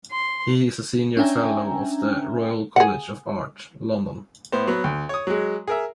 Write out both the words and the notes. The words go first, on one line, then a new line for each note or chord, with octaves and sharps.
He is a Senior Fellow of the Royal College of Art, London.
C6
C#4 D4 E5 G5 G#5 A#5
G#4 F#5
A2 B3 C5
F#3 B3
D2
C#5 D#6
F#3 G#3
G#4 A#4 E5